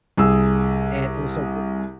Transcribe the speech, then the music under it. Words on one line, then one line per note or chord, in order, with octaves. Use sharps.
and it was so,
C2 G#4 E6